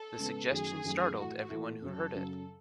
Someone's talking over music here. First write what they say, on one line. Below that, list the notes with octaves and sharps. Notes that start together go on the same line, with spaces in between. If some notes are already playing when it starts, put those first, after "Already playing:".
The suggestion startled every one who heard it.
Already playing: A4
C#3 G#3 B3
F#2 D#3 F#3 A3 G#4
F#2 D#3 F#3 A3
A2 E3 A3 E4 F#4
A2 E3 A3 E4
F#2 C#3 F#3 A4
F#2 C#3 F#3